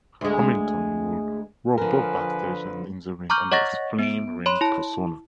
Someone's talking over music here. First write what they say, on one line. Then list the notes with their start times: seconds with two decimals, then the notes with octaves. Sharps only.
Hamilton would work both backstage and in the ring under his "Flame" ring persona.
0.21 D2 G#3
1.78 D3 F3 A#4 B4 G#5
3.30 A#5 C#6 D6 F6 G6
3.52 C#5 D#5 F#5 C#6 A6 A#6
3.99 B3 D7
4.46 C#5 B5 C6
4.61 E4 A5